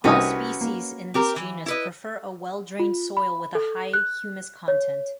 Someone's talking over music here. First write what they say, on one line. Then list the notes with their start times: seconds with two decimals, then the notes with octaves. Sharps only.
All species in this genus prefer a well-drained soil with a high humus content.
0.04 C2 C#4 D#4 F#4 B4 D#6
0.61 A#3
1.14 C4 G4 A#4
1.36 E3
1.66 E4 B4 D#5
2.79 F4
3.17 B5
3.55 A4
3.93 F#6
4.68 C#5